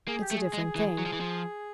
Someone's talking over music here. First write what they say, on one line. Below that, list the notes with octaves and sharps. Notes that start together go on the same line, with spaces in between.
It's a different thing.
A#3 G#4
G4
A3
G#4
G#3
E3
F#3
F3
E3
F3